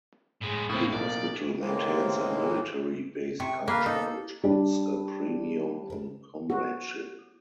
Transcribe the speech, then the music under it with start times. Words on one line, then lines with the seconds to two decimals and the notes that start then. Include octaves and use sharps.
The hospital maintains a 'military-based culture which puts a premium on comradeship'.
0.42 A2 G#3
0.69 A2 A#3 C4 E4
0.92 B1 A#3 D5
1.59 A2 D#3 E3 G#3 A#3 C4
3.40 C3 C#6
3.68 A#3 B4 F5
3.86 D#4 A4
4.44 G3 D4
6.50 F#4